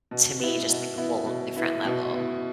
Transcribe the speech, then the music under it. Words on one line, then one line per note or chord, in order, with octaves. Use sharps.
to me just like a whole different level.
B2
B3 E4
B2
B3 E4
B2
B3 E4
B2
B3 E4